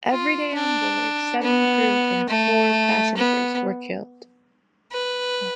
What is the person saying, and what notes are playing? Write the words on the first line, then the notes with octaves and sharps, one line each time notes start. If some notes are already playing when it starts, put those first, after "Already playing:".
Everybody on board, seven crew and four passengers, were killed.
F4
D4
B3
A3
B3
B4